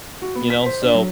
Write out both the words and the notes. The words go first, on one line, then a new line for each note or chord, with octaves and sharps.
you know. So,
F#4
B3
B6
C5
D4
F#3